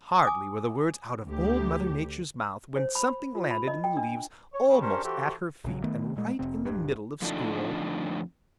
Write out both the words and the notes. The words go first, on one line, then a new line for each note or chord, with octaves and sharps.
Hardly were the words out of Old Mother Nature's mouth when something landed in the leaves almost at her feet and right in the middle of school.
G#5 D6 D#6
D2 G4
C5
B5
F4
B5
D#5
G5
D4
C#5
C#3
C#4 D4 G4 A#4 C5
E3 F#4 G4 A4 C5
A#1 C#3 F#3
D#3 A3 B3
A#2 G#3
F1 C3 C4
D#1 G2
F2 D3 F3 A3 D4 D#4